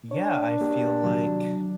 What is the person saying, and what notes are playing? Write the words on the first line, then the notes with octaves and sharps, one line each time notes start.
Yeah, I feel like
D4 C#5
A#3 G4
C3 D#3 F#3